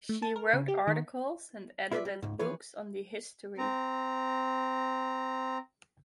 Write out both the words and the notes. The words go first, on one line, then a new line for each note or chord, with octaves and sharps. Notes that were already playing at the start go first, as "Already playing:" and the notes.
She wrote articles and edited books on the history.
A3
A5
A#4
C#3
G4
D#3
E4 F4 B4 C5 D5 E5
G3
C#2 G#2
E3 F3 G#4 B4 C#5
C4 A#5